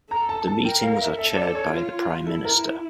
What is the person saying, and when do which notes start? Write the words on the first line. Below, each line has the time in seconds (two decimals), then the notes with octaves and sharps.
The meetings are chaired by the Prime Minister.
0.11 A4 A#5
0.29 A5
0.47 A5
0.65 A#4 G5
0.83 F5
1.01 E5
1.19 A4 E5
1.37 D5
1.55 C#5
1.72 F4
2.26 E4 A4
2.45 A#4